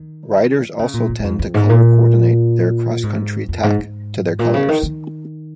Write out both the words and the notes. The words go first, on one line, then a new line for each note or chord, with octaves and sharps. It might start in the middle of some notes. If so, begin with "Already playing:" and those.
Riders also tend to color-coordinate their cross-country tack to their colors.
Already playing: D#3
C#3
A#2
G#2
G#2
F2
F2
G#2
A#2
G#2
F2
G#2
G#2
A#2
C#3
D#3
D#3